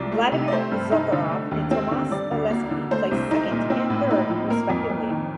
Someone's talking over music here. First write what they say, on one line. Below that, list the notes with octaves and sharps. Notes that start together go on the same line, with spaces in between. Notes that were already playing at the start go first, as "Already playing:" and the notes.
Vladimir Zakharov and Tomasz Oleksy placed second and third respectively.
Already playing: C2 F3 G3 D5
A3
C3
D5
A3 C5
G2
D#4
D3
A3
D#2
C4
D3
G3 D5
D2
A#3
D3
A3 C5
C2
D#4
A#2
C4
A2
D#4
F3
A#3 A#4
F2
F2
D#3